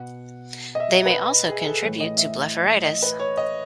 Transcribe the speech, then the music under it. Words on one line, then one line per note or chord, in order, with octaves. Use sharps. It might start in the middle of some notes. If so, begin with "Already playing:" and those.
They may also contribute to blepharitis.
Already playing: B2 F#5
D#5
E5
B4
G#4
A4
A2 E3
D#5
E5
D#5
B4
C#5
D#5